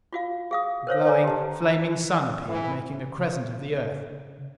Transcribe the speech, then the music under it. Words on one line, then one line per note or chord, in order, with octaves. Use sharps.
The glowing, flaming Sun appeared, making a crescent of the Earth.
F4 F#4 F5
G#4 F5 D#6
A#4 C5 C#5 F5
B4 C#5 G#5 A#5
G4 A5
E3
C#3